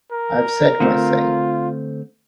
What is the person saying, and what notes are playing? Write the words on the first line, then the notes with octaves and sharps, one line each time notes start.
I have said my say.
A#4
D3 A3 C4 F4